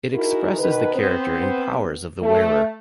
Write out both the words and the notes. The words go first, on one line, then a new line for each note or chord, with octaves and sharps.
It expresses the character and powers of the wearer.
D#4 E4 F#4 G#4 A#4
B2 D#3 B4
B3 C4 C5
A3